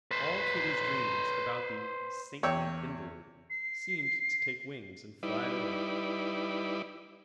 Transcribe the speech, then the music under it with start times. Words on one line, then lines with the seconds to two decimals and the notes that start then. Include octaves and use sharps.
All Katy's dreams about the "saintly invalid" seemed to take wings and fly away.
0.11 B4 C5
2.43 E2 C#5 G5 E6
3.50 C7
5.23 G3 D#4 E4 B4 D5